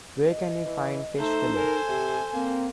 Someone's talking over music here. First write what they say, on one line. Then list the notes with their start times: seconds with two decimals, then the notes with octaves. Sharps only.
Where can we find fish fillet?
0.30 D#5
0.66 E3
1.19 A3 D#4 A4 C5 A#5
1.56 A#4 G#5
1.88 C3 G4
2.33 A#3 C4